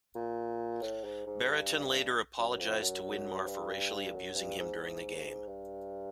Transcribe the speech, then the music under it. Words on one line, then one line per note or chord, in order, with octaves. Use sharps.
Brereton later apologised to Winmar for racially abusing him during the game.
A#2
A2
G#2
G#2
G2
F#2
F2
F#2
G2
F#2
G2
G#2
G#2
G2